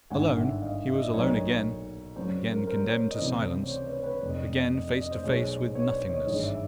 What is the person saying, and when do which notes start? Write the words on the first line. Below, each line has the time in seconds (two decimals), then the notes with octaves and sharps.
Alone--he was alone again--again condemned to silence--again face to face with nothingness!
0.10 G#1 G2 D3 F#5 G#5
0.36 E5 F#5
0.62 D#5 F5
0.87 E5
0.95 D#5
1.02 D5 E5
1.13 B1 A#2 F#3 C#5 D#5
2.16 F#2 C#3 F#3 C5 D5
2.50 A#4 C5
2.67 A#4 C5
2.83 C#5
2.93 C5 D5
3.11 D#5
3.19 C#2 C3 E3 C5 D5
3.44 C5 D5
3.64 C#5
3.70 C5 D5
3.87 B4 C#5
4.04 B4 C#5
4.21 F1 F2 C3 D5
4.30 D#5
4.39 D5
4.48 D#5
4.57 D5
4.67 D#5
4.75 D5
4.84 D#5
4.93 D5
5.02 D#5
5.11 C5 D5
5.24 B1 B2 G#3 C#5 D#5
5.49 C5 D5
5.70 D5
5.75 B4 C#5
5.92 C5 D5
6.09 C#5 D#5
6.26 G#1 G2 E3 G#3 C#5 D#5
6.43 D5 E5